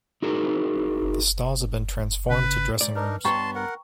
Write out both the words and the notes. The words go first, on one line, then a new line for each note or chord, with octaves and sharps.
The stalls had been transformed to dressing rooms.
D#4 E4 F#4 G#4 A#4
C#3 B4
G#2 D5
D4 D#4 A#4 B4
G2 B3 C#5 G5 A5 A#5 C6 C#6
A#4 F#5